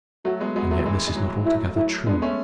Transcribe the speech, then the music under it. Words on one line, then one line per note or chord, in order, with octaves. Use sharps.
And yet this is not altogether true.
F#3 A3 F#4
G#3 B3
G#3 B3 F#4
F#3 A3
E3 G#3
G#3
F#3
F#3 A3 E4
F#3 A3 E4
G#3 B3 D4
A3 C#4